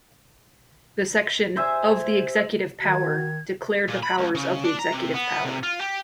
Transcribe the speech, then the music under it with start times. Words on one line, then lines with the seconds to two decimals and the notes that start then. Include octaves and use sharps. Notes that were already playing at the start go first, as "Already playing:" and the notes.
The section "Of the Executive Power" declared the powers of the executive power.
1.56 C5 E5 G#5
2.82 D#3 F#4 G#6
3.88 A#2
4.03 B5
4.18 C#2
4.35 C#3
4.64 D4
4.79 A#5
4.92 C3
5.14 B3
5.45 C3
5.63 F4
5.80 G4